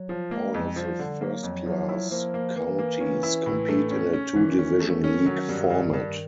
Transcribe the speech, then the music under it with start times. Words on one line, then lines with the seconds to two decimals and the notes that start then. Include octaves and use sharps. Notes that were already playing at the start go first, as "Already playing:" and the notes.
All of the first-class counties compete in a two-division league format.
Already playing: F#3
0.09 F3
0.31 G#3 A#3
0.54 F2
0.76 F3 G3
0.99 D3
1.21 F#3 A#3
1.43 F2
1.66 F3 F#3
1.89 E4
2.11 F3 A#3
2.34 A#3
2.56 E3 A#3
2.79 A#3
3.00 C#4
3.23 E4
3.46 A2
3.69 A3
3.91 C#4
4.13 C#4
4.36 D#3 E3
4.59 C#4
4.80 A3
5.04 C#4
5.26 F#3
5.49 G2
5.70 G2
5.93 G2